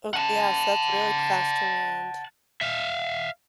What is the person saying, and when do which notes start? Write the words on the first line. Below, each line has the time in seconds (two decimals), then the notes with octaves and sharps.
Ok yeah, so that's a really fast turnaround.
0.14 F#5 A5
2.61 E5 F5